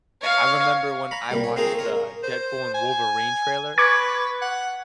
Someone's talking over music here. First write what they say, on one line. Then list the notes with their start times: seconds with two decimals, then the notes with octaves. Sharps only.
I remember when I watched the "Deadpool& Wolverine" trailer,
0.21 C#5 F5
1.11 A#5 B5
1.31 C2 A#2 G3
1.44 C#5
1.57 C4 D#4 F4 G#4 A#4
1.79 A#4 C#5
2.23 C5
2.74 G#5
3.78 B4 C#6 D6 G#6
4.42 F#5